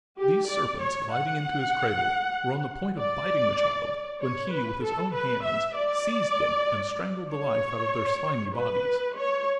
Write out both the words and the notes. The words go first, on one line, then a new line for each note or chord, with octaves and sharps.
These serpents, gliding into his cradle, were on the point of biting the child when he, with his own hands, seized them and strangled the life out of their slimy bodies.
G4
D5
C#5
F#5
D5
C#5
B4
A4
B4
E5
D5
C#5
B4
C#5